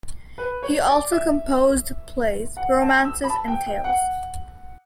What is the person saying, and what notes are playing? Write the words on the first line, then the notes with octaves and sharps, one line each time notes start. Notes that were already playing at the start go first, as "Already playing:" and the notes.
He also composed plays, romances and tales.
B4
C#5
D5
E5
F#5
A5
E6
B5
A5
G5
G5
F#5